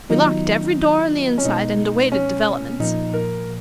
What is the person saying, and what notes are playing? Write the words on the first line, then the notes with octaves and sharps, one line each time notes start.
We locked every door on the inside and awaited developments.
D#3 F#3 B3 D#4 F4
C#4
B2 G#3 B3 D#4
C#4
A#2 F3 A#3 D#4
A#4